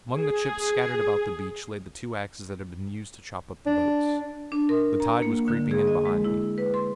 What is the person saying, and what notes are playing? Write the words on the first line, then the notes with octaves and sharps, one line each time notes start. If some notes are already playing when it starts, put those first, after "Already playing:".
Among the chips scattered about the beach lay the two axes that had been used to chop up the boats. The tide was creeping in behind me.
G#4
D4
D4
A#4
A#5
A#3
D3
G#4
D#5
G#3
E4
B4
C6